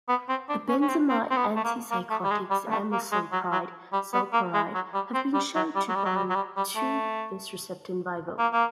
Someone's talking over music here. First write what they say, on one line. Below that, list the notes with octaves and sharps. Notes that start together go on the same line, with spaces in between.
The benzamide antipsychotics-amisulpride, sulpiride-have been shown to bind to this receptor in vivo.
B3
C4
D4
C#4
C#4
C4
C4
C4
B3
A3
A#3
A#3
A3
G3
G#3
G3
A3
A#3
G#3
F#3
F#3
G3
B3
A#3
G#3
F#3
G3
C4
G3
F#3
G3
F#3
G3
F#3
G3
F#3
G3
G3
A3
A#3
A#3